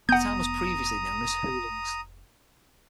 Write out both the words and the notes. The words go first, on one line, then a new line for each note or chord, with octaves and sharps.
The town was previously known as Hulings.
F1 B3 F#5 A#5 D#6 G6